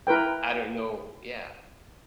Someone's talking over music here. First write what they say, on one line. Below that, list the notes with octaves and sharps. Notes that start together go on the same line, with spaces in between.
I don't know yeah.
E4 A#4 B4 G5